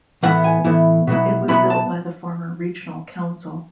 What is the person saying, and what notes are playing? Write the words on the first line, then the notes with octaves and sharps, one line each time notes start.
It was built by the former Regional Council.
A2 E3 B3 E4 F#5
G#5
A2 E3 B3 E4
B2 F#3 B3 E4
B2 F#3 B3 E4 B5
A5